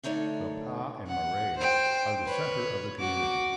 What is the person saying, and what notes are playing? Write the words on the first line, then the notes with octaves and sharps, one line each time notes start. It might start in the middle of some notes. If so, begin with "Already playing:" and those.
The Pa and Marae are the centre of the community.
D3 A3 D#4 C#5 D5
F#5
C5 G5
B4 C#5
F#4 D6